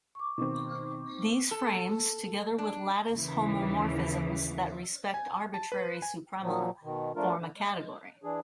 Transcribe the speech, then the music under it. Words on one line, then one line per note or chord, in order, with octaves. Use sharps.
These frames, together with lattice homomorphisms that respect arbitrary suprema, form a category.
C#6 D6
B2 D#3 C4 D#4
A4
D4
D#2 C#3 E3
G#5
A5
B4
G#5
A#2 F3 F#3
B2 D#3
F3 A3 D4 F4 A#4
D3
G#3
E3 D4 G#4